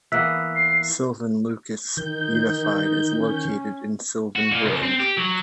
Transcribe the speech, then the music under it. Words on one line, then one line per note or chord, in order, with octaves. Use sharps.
Sylvan-Lucas Unified is located in Sylvan Grove.
E3 A#3 B3 E6 F#6 B6
C7
D#3 D#4 G6
C#4
F#4
A#2
C#2
C4
G4
F#3